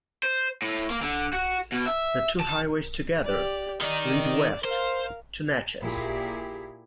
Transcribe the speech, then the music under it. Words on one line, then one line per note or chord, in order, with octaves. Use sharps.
The two highways together lead west to Natchez.
C5
A2
A#3
D3
F#4
B2
E5
A5
G4 D5
D#3 D#4 D5
A#4 C5 F5
A#2 E4 G4 G#4